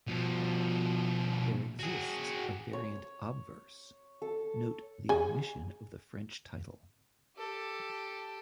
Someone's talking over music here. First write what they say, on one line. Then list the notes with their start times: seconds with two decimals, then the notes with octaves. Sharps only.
There exists a variant obverse: - note the omission of the French title.
0.07 B2 F3
1.79 F#4 G#4
2.73 C#5
4.22 A4
5.09 G#4 G#5
7.36 G4 A4